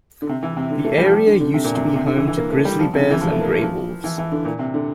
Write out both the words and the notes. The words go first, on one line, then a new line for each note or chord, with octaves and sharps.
The area used to be home to grizzly bears and gray wolves.
D3
C3
E3
C3
D3
A3
G3
F3
G3
D3
D3
C3
A#2
C3
D3
C3
D3
E3
E3
A#3
A3
G3
F3
C3
D3
E3
F3
A3
A#3
A3
F3
E3
E3
D3
A#2
C3
D3